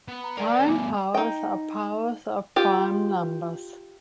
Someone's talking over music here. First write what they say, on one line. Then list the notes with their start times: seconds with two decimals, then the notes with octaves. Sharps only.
Prime powers are powers of prime numbers.
0.08 B3
0.23 A#5
0.37 A#4 D5 G5
0.66 D2 G2 B3 G#5 D6
1.14 D#4 G5
2.56 F4 G4